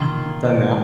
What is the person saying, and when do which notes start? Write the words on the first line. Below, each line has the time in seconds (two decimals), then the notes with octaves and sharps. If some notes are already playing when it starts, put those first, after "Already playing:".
I've done that.
Already playing: D#3 A#3 F4
0.44 C5
0.49 D5